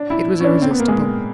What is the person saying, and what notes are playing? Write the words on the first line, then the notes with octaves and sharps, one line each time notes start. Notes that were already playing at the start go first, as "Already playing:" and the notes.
'It was irresistible.
Already playing: D4
E4
C#4
D4
C4
B3
A#3
G#3